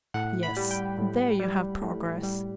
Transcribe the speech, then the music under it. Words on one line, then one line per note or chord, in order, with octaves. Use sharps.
Yes, there you have progress.
A2 F#5
B5
G3
G5
A2
G3
A2
G3